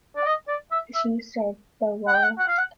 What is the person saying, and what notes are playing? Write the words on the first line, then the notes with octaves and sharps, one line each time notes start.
She said, 'The war.
D5
D#5
D5
E5
E5
F#5
G5
F#5
F#5
F5
F#5